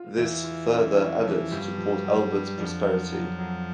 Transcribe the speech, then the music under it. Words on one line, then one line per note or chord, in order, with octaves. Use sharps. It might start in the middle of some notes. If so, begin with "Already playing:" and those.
This further added to Port Albert's prosperity.
Already playing: F4
E2 E3 F4
F4
C#4
C#4
F3
G2 G3 F4
F3
F#3
D4
F2 F3 D4
F#3
F#3
F#3